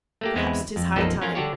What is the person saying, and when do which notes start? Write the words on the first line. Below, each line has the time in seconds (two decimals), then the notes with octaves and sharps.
Perhaps 'tis high time.
0.21 A3 A#3 G4
0.35 E2 G#3 C4 E4 B4
0.76 F2
0.96 B1 F#2 F3 A#3 A4 D#5
1.22 C#4 F4 A#4
1.35 D3 D4 F#4 G4 C#5